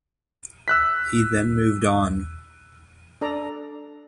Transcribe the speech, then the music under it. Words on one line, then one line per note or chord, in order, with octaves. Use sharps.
He then moved on.
E6 F#6 B6
D4 A4 D5 A#5